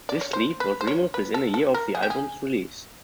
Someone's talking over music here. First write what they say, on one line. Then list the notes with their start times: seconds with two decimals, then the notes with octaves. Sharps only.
This sleeve was removed within a year of the album's release.
0.09 D5
0.21 C#5
0.33 C5
0.60 B4
0.81 C5
0.87 C#5
1.14 B4
1.34 A4
1.54 A4
1.74 A#4
1.95 G#4
2.03 G4
2.10 G#4